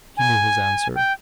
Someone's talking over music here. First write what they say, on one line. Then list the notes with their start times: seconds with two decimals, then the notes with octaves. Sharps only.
He knew his answer.
0.17 G#5
0.95 G5